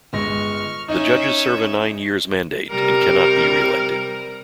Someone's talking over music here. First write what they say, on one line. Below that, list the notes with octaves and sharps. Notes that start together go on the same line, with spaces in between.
The judges serve a nine years mandate and cannot be re-elected.
G1 G#3 C#6 F6 A#6
C#4 D#4 D#5 E5
C3 G3 A#4